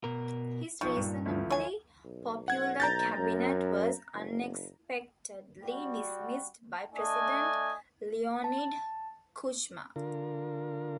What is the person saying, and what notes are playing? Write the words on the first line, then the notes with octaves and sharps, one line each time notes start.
His reasonably popular cabinet was unexpectedly dismissed by President Leonid Kuchma.
B2 A#4
B1 D#3 F3 C#6
G2 A#2
D2 E3 F3
C#5 G#5
B1
F#5 G#6
B1 A#5 G6 A6
F#2
F#1
G3 F#4
A3 D4 D#5 G#5
A5
D3 F4 A#4